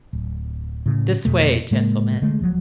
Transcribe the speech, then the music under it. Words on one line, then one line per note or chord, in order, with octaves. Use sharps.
'This way, gentlemen!
D1
A2 C#3
F2 B2 A3
A2 C#3 G#3 A#3
D3 G#3 A3
D1 F3 F#3